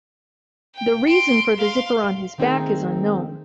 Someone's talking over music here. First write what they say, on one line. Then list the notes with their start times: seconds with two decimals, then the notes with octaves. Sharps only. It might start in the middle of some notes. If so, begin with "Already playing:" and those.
The reason for the zipper on his back is unknown.
0.75 G5
1.08 C6 D7
1.59 F5 C6
2.04 F5
2.38 D#3 A3 C4 D#4 G#4 A#4